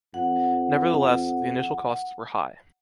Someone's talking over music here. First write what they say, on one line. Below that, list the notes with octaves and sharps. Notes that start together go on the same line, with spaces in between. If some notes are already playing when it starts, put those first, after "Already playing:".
Neverthless, the initial costs were high.
F2 F#5